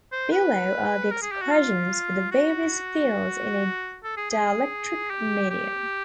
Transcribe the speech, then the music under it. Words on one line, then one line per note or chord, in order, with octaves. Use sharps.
Below are the expressions for the various fields in a dielectric medium.
C5
B4
A#4
G#4
G4
F#4
F4
F#4
A4
G#4
G#4
G4
G4